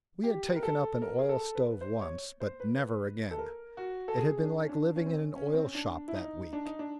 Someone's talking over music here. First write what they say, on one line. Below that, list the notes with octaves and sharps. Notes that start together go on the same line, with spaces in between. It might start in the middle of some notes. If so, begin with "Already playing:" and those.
We had taken up an oil-stove once, but "never again." It had been like living in an oil-shop that week.
G4
B4
A#4
A4
A#4
G#4
A4
B4
C5
C#5
C5
B4
A4
A#4
F#4
A4
G#4
C#4
D4
C#4
D4
C#4
C4
C#4
C#4
C4
C#4
D4
E4
D#4
D4
D#4
D4